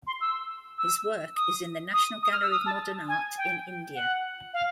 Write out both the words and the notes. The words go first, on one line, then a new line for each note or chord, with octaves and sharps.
His work is in the National Gallery of Modern Art in India.
C6
E6
E6
D#6
D#6
D#6
F6
E6
D#6
A5
G#5
G5
F#5
F5